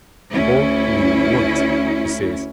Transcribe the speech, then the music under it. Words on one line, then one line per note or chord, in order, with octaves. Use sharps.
"No you won't," she says.
D2 C#4 E4